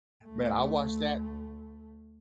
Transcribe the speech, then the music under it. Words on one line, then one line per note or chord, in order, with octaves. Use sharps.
Man, I watched that
D2 A3